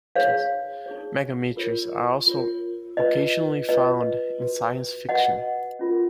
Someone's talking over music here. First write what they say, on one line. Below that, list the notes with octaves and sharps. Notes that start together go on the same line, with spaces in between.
Megametres are also occasionally found in science fiction.
D#4 G#4 C#5 F5
D#4 G#4 C#5
F4 A#4 C#5
F4 A#4 C#5
F4 B4 D#5
F4 B4 D#5
F#4 B4
F#4 B4 D#5 F#5
C#4 F4 A#4